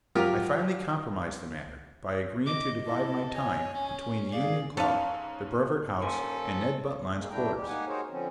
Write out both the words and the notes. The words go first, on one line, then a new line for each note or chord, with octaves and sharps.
I finally compromised the matter by agreeing to divide my time between the Union Club, the Brevoort House, and Ned Buntline's quarters.
F3 F#3 F4 G4 A#4
D#5 D6
E4 A4
C#5 G#5
C#4
G#4 D5 F5
G#2 C#4 A4 B4 F5
D#3 A#3 C#4 A4 C5 G#5 A#5 C6
G#3 A#3
F2 A3 D4 E4 G5 A#5
D#2 G3 G#3 G4
A#3 D#4 G4 F#5 G#5
D#4 F#4 G#4 A#4 C5 C#5
D3 F3 C4 C#4